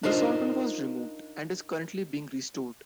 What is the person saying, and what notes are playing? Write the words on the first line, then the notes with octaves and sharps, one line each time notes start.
This organ was removed and is currently being restored.
D4 D#4 F4 A#4 C5 D#5